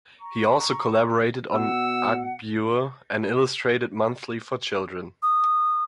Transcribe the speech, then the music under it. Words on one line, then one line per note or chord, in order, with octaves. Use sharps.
He also collaborated on "Aghbyur", an illustrated monthly for children.
A#5 C#6
B2 F#5 E6
D#6